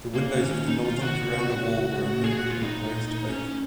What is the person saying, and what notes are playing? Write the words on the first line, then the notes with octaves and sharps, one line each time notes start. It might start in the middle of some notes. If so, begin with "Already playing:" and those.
The windows of the northern verandah wall were removed and closed over.
C#3 A#3
D#3 C#4
D#3 D#4
F4
F#4
C#3
A#2 G#4
F#4
F4
D#4
C#4